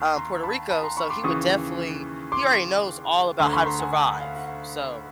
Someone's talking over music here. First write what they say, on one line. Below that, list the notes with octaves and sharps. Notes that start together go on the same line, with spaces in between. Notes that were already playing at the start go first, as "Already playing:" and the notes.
um, Puerto Rico, so he would definitely he already knows all about how to survive, so,
Already playing: D#2
A#5 C6
A5 B5
A5 B5
A#5 C6
B5 C#6
C6 D6
D#2 C#3 E3 C#6 D#6
C6 D6
D2 D3 A#5 C6
B5 C#6
A#5 C6
F#5 G#5
F#5
F5
F#5
F5